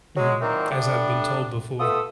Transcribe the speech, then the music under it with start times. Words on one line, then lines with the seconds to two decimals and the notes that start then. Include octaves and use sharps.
Mhm. As I've been told before.
0.17 F#3 G#3
0.41 A#2 D#3 E3 F#3 A#3 C4
0.70 D3 G3 A3 B3 D4
1.80 A3 B3 F4 A4 D#6